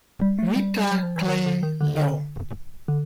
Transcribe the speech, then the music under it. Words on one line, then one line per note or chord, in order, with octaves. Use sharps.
Rita Clay Loam.
G3
A3
G3
G3
F#3
F3
E3
D#3
D3
D#3
D3
D3